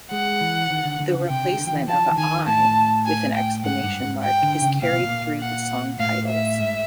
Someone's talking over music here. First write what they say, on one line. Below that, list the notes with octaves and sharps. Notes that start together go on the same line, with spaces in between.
The replacement of "i" with an exclamation mark is carried through the song titles.
G#3 F#5
E3
D#3
D3
D3
C#3
C3 G5
D3
D3
F3
E3
F3 A5
E3
D#3 G#5
A2 A5
G#5
G5
G#2 F#5
G2
G#2
G5
D3
C#3
A#2 F5
B2
A#2
F#5
A2 F5
E5
G#2